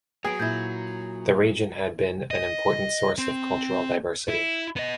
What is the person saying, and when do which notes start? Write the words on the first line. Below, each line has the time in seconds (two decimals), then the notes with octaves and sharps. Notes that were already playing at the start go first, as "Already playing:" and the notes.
The region had been an important source of cultural diversity.
0.25 F#3 B3 G#4 D#6 D7
0.40 A#2 E4 G6 G#6
2.31 D#5
3.18 C4
4.28 E4
4.76 B3 D#5